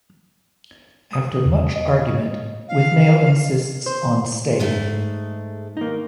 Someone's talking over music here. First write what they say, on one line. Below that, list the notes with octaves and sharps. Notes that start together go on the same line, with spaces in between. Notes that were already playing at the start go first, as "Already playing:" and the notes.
After much argument, Withnail insists on staying.
D#6
E2
D#5
F5
C5
G#2 G#3 A3
A#3 D#4